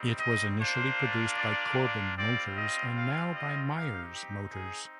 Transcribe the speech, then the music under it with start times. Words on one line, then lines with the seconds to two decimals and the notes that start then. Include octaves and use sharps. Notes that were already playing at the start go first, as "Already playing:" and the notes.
It was initially produced by Corbin Motors and now by Myers Motors.
Already playing: G3 C4 D#4
0.19 D#5
0.59 A#3 D4 F4 C5
1.38 D5
2.16 G3 C4 F4 D5
2.56 D#5
2.95 F5
3.36 D#5
3.75 C4 D#4 G4 F5
4.14 G4
4.53 G#4